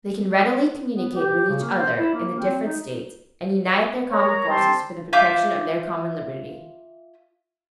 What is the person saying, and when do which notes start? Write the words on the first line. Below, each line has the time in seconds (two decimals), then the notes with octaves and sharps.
They can readily communicate with each other in the different States, and unite their common forces for the protection of their common liberty.
0.94 B3
1.15 G4
1.49 C#3
1.61 A#3
1.79 C5
1.98 E4
2.14 A#3
2.39 C4
2.65 D#4
4.11 A#4 C#5 A#5
4.47 G3 C4 G4 G5 A5 C6
5.13 F4 E5 D6 G6